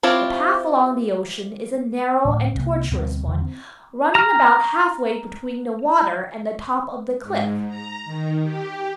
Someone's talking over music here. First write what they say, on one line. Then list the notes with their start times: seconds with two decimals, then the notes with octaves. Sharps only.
The path along the ocean is a narrow and tortuous one, running about halfway between the water and the top of the cliff.
0.03 C4 E4 F4 G4 C#5
2.25 D1 A2
2.55 C2 G3 A#3
2.91 D2 B2 G3 C4
3.27 E2 D3 D#3
3.41 C4
4.15 A#5 F6
7.22 G#2
7.67 A#5
8.05 D#3
8.43 G4